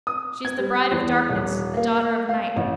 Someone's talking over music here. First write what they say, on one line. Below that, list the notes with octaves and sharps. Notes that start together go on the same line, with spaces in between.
She is the bride of darkness, a daughter of night.
D#6
G#6
G3
E2
D#1
A#3
F5
A1